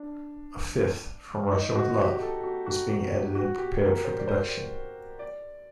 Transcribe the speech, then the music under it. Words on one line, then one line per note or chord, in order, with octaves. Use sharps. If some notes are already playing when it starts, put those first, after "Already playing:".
A fifth, "From Russia, with Love", was being edited and prepared for production.
Already playing: D4
D#4
F#4
G4
A4
F#4
F#4
F#4
G4
F#4
G4
A#4
C5
D5
C5
D5